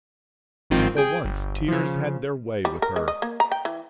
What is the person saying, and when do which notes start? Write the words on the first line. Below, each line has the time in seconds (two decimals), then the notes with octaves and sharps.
For once tears had their way with her.
0.70 G1 G#2 D#3 F3 C4 F4
0.97 G#4 G5
1.24 G1
1.68 C#3 F3
2.65 G3
2.82 A#4
2.96 G#3
3.08 D#5
3.22 A#3
3.40 A#5
3.52 G5
3.65 E3